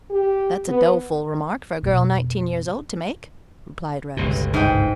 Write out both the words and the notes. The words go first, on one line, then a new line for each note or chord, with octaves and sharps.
"That's a doleful remark for a girl nineteen years old to make," replied Rose.
G4
B3
F2 B2
G1 C#2 B2
G#2 G5